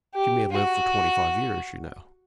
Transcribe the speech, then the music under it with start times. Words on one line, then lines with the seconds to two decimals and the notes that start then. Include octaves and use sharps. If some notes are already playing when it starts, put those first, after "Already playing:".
"But you may live for twenty-five years, you know."
0.14 G4
0.51 F#4